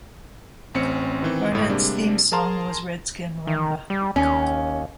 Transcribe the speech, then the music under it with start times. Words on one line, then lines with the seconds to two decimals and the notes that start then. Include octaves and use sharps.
Barnet's theme song was "Redskin Rhumba".
0.74 A1 C4 C#4 C#7
1.23 D#3 E3 C4
1.52 G1 A2
1.69 C3 G3 G#3 A#3 D4
2.32 G#4 A#4 A5 A#5 C6
3.47 D#3
3.90 G3
4.16 D#2 C#4